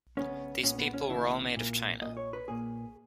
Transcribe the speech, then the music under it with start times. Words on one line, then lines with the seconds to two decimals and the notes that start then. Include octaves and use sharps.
These people were all made of china.
0.17 C#3 G#3 B3 C#4
0.63 A#2 G#3 B3 C#4
0.78 B3
0.94 C#4
1.10 C#3 E3 A#3 E4
1.56 A#2 A#3
2.02 A#2 A#3 D#5
2.17 C#5
2.33 B4
2.48 A#2 A#3 G#4